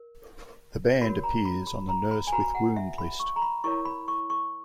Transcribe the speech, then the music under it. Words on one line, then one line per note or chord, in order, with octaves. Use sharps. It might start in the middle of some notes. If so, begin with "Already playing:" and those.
The band appears on the Nurse with Wound list.
Already playing: A#4
F#4 A#4 C#5 B5
A#5
B5
B5
A#5
B5
G#5
F#4 B4 A#5
F#5
E5
B5
C#6
A#5
B5
E4 A#4 C#5 C#6
B5
C#6
C#6